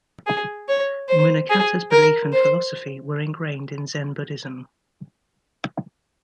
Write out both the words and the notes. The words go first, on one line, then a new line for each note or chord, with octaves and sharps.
Munakata's belief and philosophy were engrained in Zen Buddhism.
G#4
C#5
C5
G#4
A#4
C5